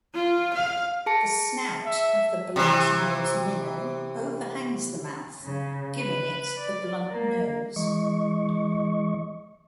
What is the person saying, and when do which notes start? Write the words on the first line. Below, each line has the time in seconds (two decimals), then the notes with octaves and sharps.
The snout of the bluntnose minnow overhangs the mouth, giving it the bluntnose.
0.14 F4
0.54 F5
1.06 G#4 A5 C#7
1.86 E5
2.56 C3 E3
5.43 C#3
5.98 B4
6.58 D5
7.10 A#3
7.76 E3 G#3 D#5 C#6